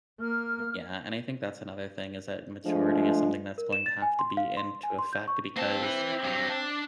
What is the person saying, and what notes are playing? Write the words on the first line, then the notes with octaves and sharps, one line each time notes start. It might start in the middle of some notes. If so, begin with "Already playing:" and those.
Yeah, and I think that's another thing is that maturity is something that's going to have to be into effect to because
A#3 F6
F3 G#3 A3 D4
A#4
E7
A6
G#5
C6
F5
C6
G#5
C6
G6
C#6
A#3 C4 A5
E4 B4
G2 F#3
D4 A5